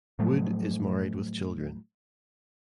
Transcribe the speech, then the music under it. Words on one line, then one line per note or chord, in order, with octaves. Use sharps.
Wood is married with children.
A2 F3 F#3 A3